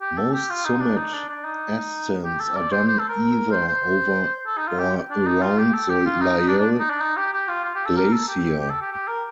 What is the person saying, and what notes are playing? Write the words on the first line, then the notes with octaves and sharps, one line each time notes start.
Most summit ascents are done either over or around the Lyell Glacier.
G4
A4
G4
F4
D#4
D4
D#4
D4
D4
D#4
G4
A4
D5
C5
C5
A4
A#4
C5
C5
A4
D#4
F4
G4
D4
D#4
F4
G4
A4
G4
F4
D#4
D#4
D4
D4
D#4
D4
D#4
G4
G4
F4
F4
G4
A4
A#4
A4
G4
G4
A4
G4
G4
A#4